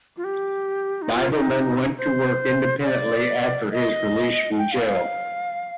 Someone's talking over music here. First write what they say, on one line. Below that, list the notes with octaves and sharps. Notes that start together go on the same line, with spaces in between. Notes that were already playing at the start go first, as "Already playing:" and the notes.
Biberman went to work independently after his release from jail.
F4
G4
D#4
F4
D#4
C5
D5
D#5
G5
F5
F5